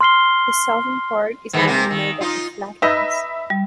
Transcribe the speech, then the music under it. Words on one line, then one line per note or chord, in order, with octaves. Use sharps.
The southern part is mainly made up of flatlands.
C6 F6 C7 G7
G#2 D#3 E3
C3 A#3
D#3
D#4 F4
D#4 B4 D#5 E5 B5 E6
G3